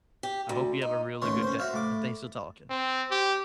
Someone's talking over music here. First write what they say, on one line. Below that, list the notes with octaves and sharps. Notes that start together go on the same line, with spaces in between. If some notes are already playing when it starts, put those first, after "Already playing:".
I hope you have a really good day, and thanks for talking.
G4
D2
D#4
A1 D#2 D#3 C#5 C6
C#4 C5
F#4 E5 F5
A2 D6
C4
G4